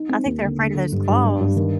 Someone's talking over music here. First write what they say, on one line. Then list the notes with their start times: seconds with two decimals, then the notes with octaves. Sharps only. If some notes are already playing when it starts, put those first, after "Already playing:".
I think they're afraid of those claws.
Already playing: D#4
0.09 C4
0.26 D#2
0.42 D3
0.59 D3
0.75 D3
0.92 G2
1.08 G2
1.24 G2
1.41 G2
1.56 D#3